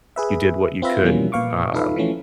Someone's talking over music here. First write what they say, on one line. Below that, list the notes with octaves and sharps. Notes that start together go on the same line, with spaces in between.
you did what you could, um,
G#4 B4 E5
C4 F4 B4 E5 F5 A#6
B2 E3 F3 G3 A#3 C#4
A#2 B4 F5 C#6 D6
D#4 F4 A4 B4 E5 F5
E3 F3 A3 C#4